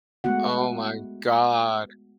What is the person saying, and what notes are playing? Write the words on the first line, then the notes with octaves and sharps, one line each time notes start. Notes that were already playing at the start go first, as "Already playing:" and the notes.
Oh my god.
G#3 A3 B3 F#4 F#5